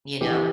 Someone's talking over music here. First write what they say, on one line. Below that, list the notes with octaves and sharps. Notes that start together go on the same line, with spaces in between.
You know?
E3 G4